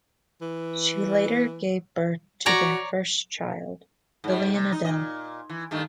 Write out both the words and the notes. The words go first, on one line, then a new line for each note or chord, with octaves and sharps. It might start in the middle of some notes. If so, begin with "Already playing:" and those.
She later gave birth to their first child, Lillian Adel.
E3
F#4 C#5 D5 A#5
G#2 G3
C3
D#4
A#2 D#5
E3
G2 D#3 A3